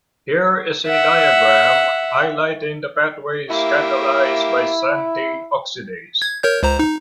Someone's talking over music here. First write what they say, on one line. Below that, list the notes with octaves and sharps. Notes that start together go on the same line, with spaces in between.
Here is a diagram highlighting the pathways catalyzed by xanthine oxidase.
E5 F#5
A#3 E4 G4 E5
G#6
A#4 C#5 G6
C#2 C5 A#5
D#4